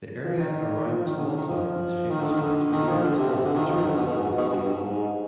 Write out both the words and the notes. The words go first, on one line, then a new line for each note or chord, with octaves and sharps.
The area around the small town is famous for its vineyards and picturesque landscape.
F3
D#3
F3
F3
D#3
D3
D#3
D#3
F3
D#3
D3
D#3
D3
D#3
F3
D3
C3
B2
C3
D3
D#3
F3
D#3
D3
B2
B2
G#2
B2
G2
G2
G#2
G#2